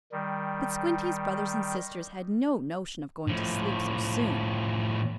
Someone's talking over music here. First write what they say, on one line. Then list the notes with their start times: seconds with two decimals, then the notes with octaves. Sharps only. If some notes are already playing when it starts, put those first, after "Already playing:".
But Squinty's brothers and sisters had no notion of going to sleep so soon.
0.12 D#3 G3
3.27 A2 F3